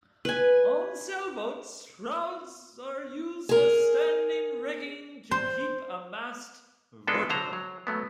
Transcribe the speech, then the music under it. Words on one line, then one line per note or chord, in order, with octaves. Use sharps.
On sailboats, shrouds are used as standing rigging to keep a mast vertical.
B4 G#5
G#4 A#4
C5
G#3 B3 D4 F4 A4
D3 F#3 C5 A#5
F#3
F#3 A3 B3